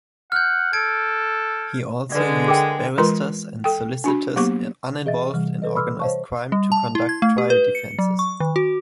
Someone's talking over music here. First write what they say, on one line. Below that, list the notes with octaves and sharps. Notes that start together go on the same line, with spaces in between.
He also used barristers and solicitors uninvolved in organized crime to conduct trial defenses.
F#5 F6 G6
A4 G#6 D7
D3 G#3 B4 D5
G#4 A#4 G5
E3 G#3 F4 A#4 B4 C6
A4 G5
D4 F#4 B5
F#3 A#3 B3 G4 C#6 D6
E3 G#4 D#5 E5 A6
C3 E3 G3
A4 B4 D#5
B5 C6 D6 E6 F6
C5 C#5 D#5 F5 A5 C#6
G3
A5
E4
G#6
A3
G4
B4
C#7
F#3
C#6
D#3
F#4